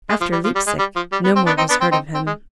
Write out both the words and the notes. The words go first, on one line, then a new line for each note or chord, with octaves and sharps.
After Leipsic no more was heard of him.
G#3
F3
G3
F3
G3
G#3
G3
F3
G3
B3
C4
B3 D4
C4 D#4
B3 D4
C4
C4 D#4
C4
G#3